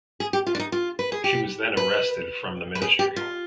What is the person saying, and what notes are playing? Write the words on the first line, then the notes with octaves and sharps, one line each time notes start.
She was then arrested from the Ministry.
G#4
G4
F4
D4
D#4
F4
B4
G#4
G4
B4
B4
G#4
G4
F4